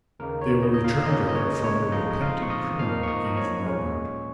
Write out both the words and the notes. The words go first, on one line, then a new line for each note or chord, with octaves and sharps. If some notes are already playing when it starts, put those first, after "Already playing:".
"They were returned to her from 'a repentant criminal,'" Eve murmured.
D#2 C#3 A#3 D#4 A#4
C#5
D#4 D#5
D#5
F4 F5
C#2 C#3 A#3 C#4 D#4 F4 D#5
D#5
C#5
C#5
F2 F3 G#3 D#4 F4 D#5
D#5
F4 F5
C#6
D#5 D#6
G#2 F3 A#3 D#4 F5 F6
C#6
D#5 D#6
A#5
C#5 C#6
A#2 G#3 C#4 F4